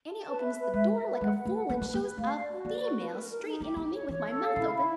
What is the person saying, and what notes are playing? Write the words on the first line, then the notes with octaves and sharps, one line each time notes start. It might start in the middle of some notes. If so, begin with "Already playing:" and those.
Annie opens the door like a fool, and shows a female straight in on me, with my mouth open.
A5
B4
E5
B4
G#3 E5
E5
B4
G#3 F#5
B4
A3
F#5
A#3 B4
A3 B4
A#3
B4
A3 F5
D5
F#4
A#3 D5
F#4
B4
A#4
A#4
D#4
A#3 G4
B3 G4
C#5
E3 C#5
A4
F5
C#3 E4
E4